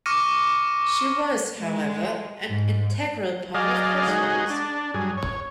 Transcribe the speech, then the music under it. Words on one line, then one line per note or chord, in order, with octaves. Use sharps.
She was, however, an integral part of "Crossroads".
C#6 D6 F6 A#6 C#7 D#7
G#3
G#2
F#3 G#4 D5 D#5 F5
G#3 D#4 F#4 G#4
D4
G2 F#3 G#4
C#5